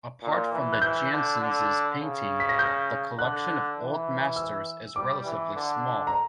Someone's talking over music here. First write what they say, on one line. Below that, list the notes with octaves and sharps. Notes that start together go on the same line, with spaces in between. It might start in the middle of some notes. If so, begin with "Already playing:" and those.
Apart from the Janssens' painting, the collection of Old Masters is relatively small.
A#2
E3
F#6
E3 G6
D3
D3
C#3
B6
A#6
G6
D3 F#6
E3
E6
G3 D6
E3
D3
A#5